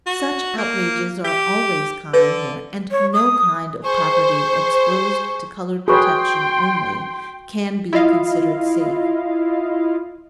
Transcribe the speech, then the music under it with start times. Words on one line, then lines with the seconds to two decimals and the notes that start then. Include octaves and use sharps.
Such outrages are always common here, and no kind of property exposed to colored protection only, can be considered safe.
0.06 F#4
0.58 A#3
1.25 G4
2.13 D3 B4
2.91 C#5
3.13 D#6
3.83 G#4 C5 C#6
5.88 F#4 G#4 B4 C#5 G5 C6 C#6
7.93 E4 F4 D#5 F5